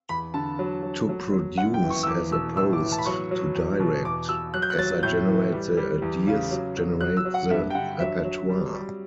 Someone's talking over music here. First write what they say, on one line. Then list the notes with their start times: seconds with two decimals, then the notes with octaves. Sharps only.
To produce as opposed to direct, as I generate the ideas, generate the repertoire.
0.09 E2 B5
0.34 D3 A5
0.59 F#3
0.83 F#3
1.09 F#3
1.32 F#3
1.58 F#2 F#5
1.74 G5
1.82 E3
1.90 C#6
2.03 E6
2.06 E2 D6
2.32 B2 E6
2.56 A2 E6
2.73 D6
2.82 E3
2.92 A5
2.98 B5
3.06 F#3 C#6
3.31 F#3
3.55 E2
3.80 B2
4.05 E2 D6
4.29 B2 E6
4.54 F#3 F#6
4.62 G6
4.70 F#6
4.79 F#3 A6
5.03 A2 G6
5.28 E3
5.52 G3
5.77 G3
6.02 E2
6.27 C#3
6.51 F#3
6.77 F#3
7.01 F#3 F#6
7.17 E6
7.25 F#3
7.34 F#5
7.50 G2 E5
7.70 G5
7.75 D3 F#5
8.00 F#3 E5
8.25 F#3
8.49 G3
8.74 G3